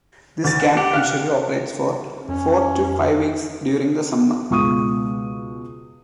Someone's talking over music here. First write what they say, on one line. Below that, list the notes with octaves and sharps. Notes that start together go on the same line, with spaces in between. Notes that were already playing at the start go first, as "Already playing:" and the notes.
This camp usually operates for four to five weeks during the summer.
D2 A6
F#5
G4 F#5
F5 F#6
F2 C#4
C#2 B2 C#6 D#6 D#7